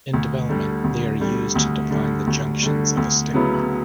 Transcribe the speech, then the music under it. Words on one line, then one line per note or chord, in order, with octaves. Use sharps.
In development, they are used to define the junctions of a stick model.
D2
D3 G3
D2
D3 G3
D2
D3 G3
D2
D3 G3
D2
C#3 F#3 B3 E4